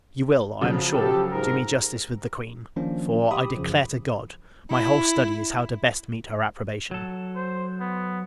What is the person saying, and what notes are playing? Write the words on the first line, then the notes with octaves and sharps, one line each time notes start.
You will, I am sure, do me justice with the Queen; for, I declare to God, my whole study is, how to best meet her approbation.
C#3 F3 F#3
G4 A4
G#2 A#4
D#3 F3 A#3 C#4 D4
G4 B5 D6 D#6
F#2 C#3 F3
E4
F#3 A4
C5
B3